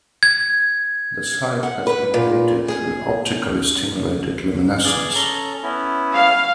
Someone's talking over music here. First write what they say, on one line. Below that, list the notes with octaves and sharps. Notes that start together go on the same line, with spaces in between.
The site has been dated through optically stimulated luminescence.
G#6
F#5
B4
A#2
G#4
E3 G#4 D5
C#4 A4 A#5
B3 C#4 E4
F5